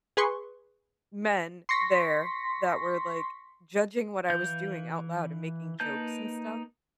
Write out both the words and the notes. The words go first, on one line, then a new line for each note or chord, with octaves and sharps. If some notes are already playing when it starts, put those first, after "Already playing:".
men there that were, like, judging what I was doing out loud and making jokes and stuff.
G#4 B4 C6 C#6
C6 C#6 A#6 B6
E3 F5 G6
A#3 D#4 B4 A5 G6